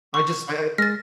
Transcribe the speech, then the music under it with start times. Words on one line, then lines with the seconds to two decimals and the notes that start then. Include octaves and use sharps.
I just I I
0.14 C#6
0.78 G#3 F6 A6 A#6